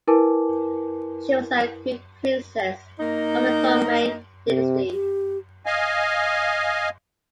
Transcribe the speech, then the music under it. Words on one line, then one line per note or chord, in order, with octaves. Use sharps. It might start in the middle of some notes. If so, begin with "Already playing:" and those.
She was a Greek Princess of the Ptolemaic dynasty.
E4 A#4 B4 G#5 A5 D6
A#3 D#4
C3
G4
D#5 F5 G#5